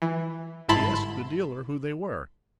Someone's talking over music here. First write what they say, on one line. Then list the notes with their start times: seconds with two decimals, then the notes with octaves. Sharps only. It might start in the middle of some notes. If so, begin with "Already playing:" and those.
He asked the dealer who they were.
0.02 E3
0.68 G1 G#2 E4 A5 B5 C6